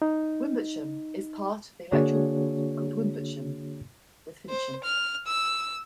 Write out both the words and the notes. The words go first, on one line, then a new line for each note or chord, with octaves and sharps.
Wimbotsham is part of the electoral ward called Wimbotsham with Fincham.
D#4
D3 A#3 D4 F#4 G#4 C#5
C5
F6
E6